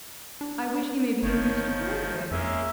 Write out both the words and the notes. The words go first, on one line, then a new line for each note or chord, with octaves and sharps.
I wish he may be induced to call here.
D4
G1 D#3 F3 C#5
F2 G#3 A#3 C#4 E5